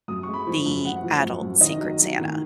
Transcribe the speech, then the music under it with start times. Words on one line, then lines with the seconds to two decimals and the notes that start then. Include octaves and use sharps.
the adult Secret Santa.
0.08 F#2 D#6
0.23 G#3 C#6
0.33 B5
0.47 F3
0.66 F#2
0.85 F#2 F#5
1.03 F3
1.23 F#2
1.42 F#2
1.61 D#3 D#5
1.80 F#3
2.00 F#3
2.19 D#3